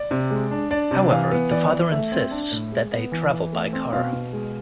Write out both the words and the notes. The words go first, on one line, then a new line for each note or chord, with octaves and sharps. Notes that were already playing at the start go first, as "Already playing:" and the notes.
However, the father insists that they travel by car.
Already playing: D5
C3
G#3
D4
D4 D5
C3
E3 F5
B3
E3 D5
E3
A3 E5
C4
D4
A2
G#3
B3
E3
E3
A3
C4
B2 F5
B2
G#3